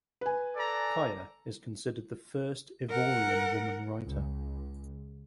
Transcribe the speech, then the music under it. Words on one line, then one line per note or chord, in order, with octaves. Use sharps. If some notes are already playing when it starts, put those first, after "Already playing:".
Kaya is considered the first Ivorian woman writer.
B4 G#5
A4 D5 A#5
A#4 F#5
C#2